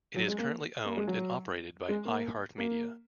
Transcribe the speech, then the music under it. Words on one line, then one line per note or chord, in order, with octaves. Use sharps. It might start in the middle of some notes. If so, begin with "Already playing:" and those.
It is currently owned and operated by iHeartMedia.
F#3
G#3
A#3
A#3
G#3
F#3
G#3
A#3
A#3